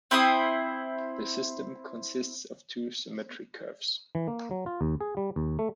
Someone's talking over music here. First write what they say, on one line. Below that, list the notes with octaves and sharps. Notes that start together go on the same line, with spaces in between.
The system consists of two symmetric curves.
C4 E4 C5 D#6
E3
A#3
F#3
F4
D#2
G#4
G3
D#2
A3